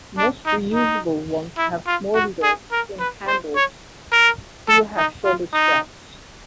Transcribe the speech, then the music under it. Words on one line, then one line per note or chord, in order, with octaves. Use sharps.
Most reusable ones have molded-in handles; a few have shoulder straps.
D4
D#4
D#4
E4
F4
F#4
G#4
A#4
B4
C5
C#5
A#4
A4
D#4
F4
D#4